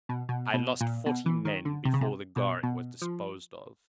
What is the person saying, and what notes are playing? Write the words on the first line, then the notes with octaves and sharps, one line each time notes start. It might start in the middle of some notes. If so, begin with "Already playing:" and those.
I lost forty men before the guard was disposed of.
B2
B2
B2
A#2
B2
E3
D#3
D3
C3
C#3
C3
B2
B2
F3